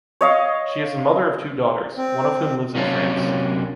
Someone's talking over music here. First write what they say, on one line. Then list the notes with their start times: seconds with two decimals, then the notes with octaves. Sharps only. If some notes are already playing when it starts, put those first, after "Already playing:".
She is the mother of two daughters, one of whom lives in France.
0.21 C#5 D#5 F5
1.97 C4
2.75 C3 F#3 A#3 C#4 D4